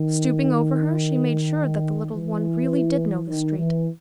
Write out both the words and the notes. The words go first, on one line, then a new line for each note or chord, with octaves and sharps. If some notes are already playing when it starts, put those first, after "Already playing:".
Stooping over her she made sure that the little one really did know the street.
Already playing: D#3
E3
D#3
E3